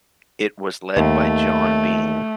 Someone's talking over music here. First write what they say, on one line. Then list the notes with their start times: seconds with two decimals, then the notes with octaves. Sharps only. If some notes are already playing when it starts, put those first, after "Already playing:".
It was led by John Bean.
0.97 D#2 A3